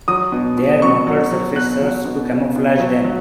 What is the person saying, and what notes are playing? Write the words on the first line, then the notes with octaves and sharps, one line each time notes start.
Their mottled surface serves to camouflage them.
F#3 D#6
B2
B2
F#3 C#6
F#3
F#3
B2 F#6
F#3
B2
B2
B2
F#3
F#3